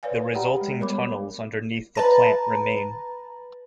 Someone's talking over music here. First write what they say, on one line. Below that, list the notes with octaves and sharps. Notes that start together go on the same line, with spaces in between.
The resulting tunnels underneath the plant remain.
B4 C#5 D5 F5 G#5
G4 D5 F#5 G5 A#5 B5
G#3
G3 B3 A#4 C#5 B5 D6
B4 A5 A#5